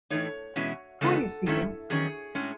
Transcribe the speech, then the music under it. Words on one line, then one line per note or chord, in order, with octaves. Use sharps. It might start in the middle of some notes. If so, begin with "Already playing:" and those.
Who are you seeking?
A2 E3 A3 D#4 C#5
E2 B2 G#3 C#4 E4
E2 C#3 G#3 B3 D#4 A4
G#2 D#3 A3 C#4 E4
E2 D#3 F#3 C#4 G#4
A2 G#3 C#4